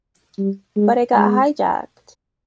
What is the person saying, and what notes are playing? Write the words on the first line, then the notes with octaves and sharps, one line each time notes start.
But it got hijacked.
G3
G#3
G#3